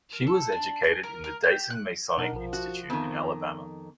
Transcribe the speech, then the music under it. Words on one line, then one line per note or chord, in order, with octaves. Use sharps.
She was educated in the Dayton Masonic Institute in Alabama.
A#4
A4
D4
G#4
A#4
A#4
G4
F#6
B2 D4 D#4 A#4 F#5 A5
A#1 F3 A#4
F#4 F#6
F2 D#3 B3